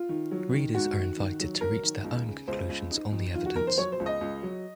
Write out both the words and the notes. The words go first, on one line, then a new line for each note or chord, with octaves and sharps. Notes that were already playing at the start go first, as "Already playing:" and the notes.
Readers are invited to reach their own conclusions on the evidence.
Already playing: F4
D#3
F#3
D#3
G#2 F#4
D#3
D#3
F#3
F#3 A#4
D#3
C#2
C#3
C#2 C5
C#2
D#4
F2
D#3 F4
F#4
F2 A#4
C5
F#3 C#5
C5
C#2
D#5
C#2
F#3